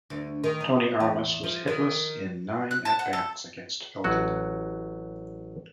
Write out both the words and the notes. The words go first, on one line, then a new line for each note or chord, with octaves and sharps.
Tony Armas was hitless in nine at bats against Felton.
D2
D#3
D#4
E2
F3
D#3
F#6
A5
F#5
A4
A1 F#3 F#4